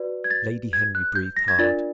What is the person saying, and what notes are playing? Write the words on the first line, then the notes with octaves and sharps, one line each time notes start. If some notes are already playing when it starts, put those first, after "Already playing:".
Lady Henry breathed hard.
Already playing: F#4 B4 D5
G#6
A6
G#6
F#6
G6
A#6
G#6
D4 F4 A#4 D5 A6